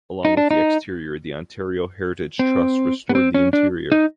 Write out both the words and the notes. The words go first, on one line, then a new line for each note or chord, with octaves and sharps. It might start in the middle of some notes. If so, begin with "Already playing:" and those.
Along with the exterior, the Ontario Heritage Trust restored the interior.
D#4
D4
D#4
C4
B3
C4
C#4
D4
D#4